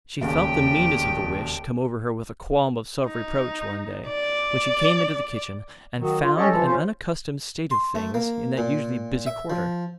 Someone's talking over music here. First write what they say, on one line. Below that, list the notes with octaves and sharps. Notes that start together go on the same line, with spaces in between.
She felt the meanness of the wish come over her with a qualm of self-reproach one day when she came into the kitchen and found an unaccustomed state of things in that usually busy quarter.
E1 D#2 C#3 G4 G5
D#4
D5
D#3 F#3
F4
C#4 G4 A4 C#5 D#5
E3 F3 A4
C#4 F4 C5
C6
A3
A#3
A#2
E5
F3